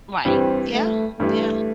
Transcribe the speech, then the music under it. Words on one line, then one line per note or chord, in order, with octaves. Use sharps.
Right. Yeah. Yeah.
G2 E3 G3 C4
A3
G2 E3 G3 A3